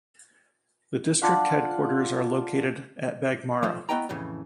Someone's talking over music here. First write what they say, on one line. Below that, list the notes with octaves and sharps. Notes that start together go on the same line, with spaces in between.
The district headquarters are located at Baghmara.
D4 F4 F#5
F3 A3 F4 C5
A3 B3 E4 D#5 G5 A#5
F2 A2 C#3 E3